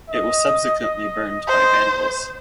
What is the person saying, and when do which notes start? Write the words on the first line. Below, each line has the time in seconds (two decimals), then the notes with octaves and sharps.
It was subsequently burned by vandals.
0.10 D#5
1.48 C5